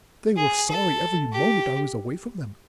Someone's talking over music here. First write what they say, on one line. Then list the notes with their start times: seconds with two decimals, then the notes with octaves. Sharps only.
They were sorry every moment I was away from them.
0.36 G#4
0.69 A4
1.32 G4